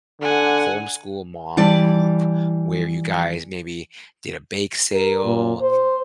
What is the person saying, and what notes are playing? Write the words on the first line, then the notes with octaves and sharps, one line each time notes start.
homeschool-mom group where you guys maybe did a bake sale,
D3 F#5 G#5
E3 G3 D5 A5
A#4
A#2
C5